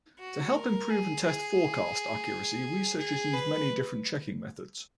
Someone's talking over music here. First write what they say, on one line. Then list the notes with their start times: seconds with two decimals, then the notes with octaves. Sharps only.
To help improve and test forecast accuracy researchers use many different checking methods.
0.19 F#4
0.55 A#4
0.90 G#4
1.25 G#4
2.99 G#4
3.34 B4